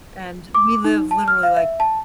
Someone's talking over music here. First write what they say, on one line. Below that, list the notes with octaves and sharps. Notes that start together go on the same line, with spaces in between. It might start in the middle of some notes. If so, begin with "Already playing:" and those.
and we live literally, like,
D6
D#4
A5
F6
F5
E5
A5